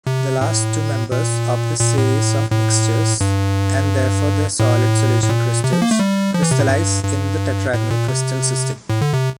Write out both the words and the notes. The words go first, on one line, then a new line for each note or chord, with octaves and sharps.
The last two members of this series of mixtures, and therefore their solid solution crystals, crystallize in the tetragonal crystal system.
C3
A2
A#2
A#2
A2
A2
G2
A2
A2
A#2
C3
F3
A#3
A3
G3
F3
E3
C3
A2
G2
G2
A2
A#2
C3
A2
D3
C3